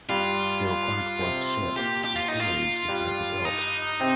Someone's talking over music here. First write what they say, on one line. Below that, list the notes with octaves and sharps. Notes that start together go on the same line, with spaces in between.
The required fourth ship of series was never built.
G2 G3 F4
C3 C4
A#2 A#3 G4
G4
F4
D#4
F4
G2 G3
D#4
C3 C4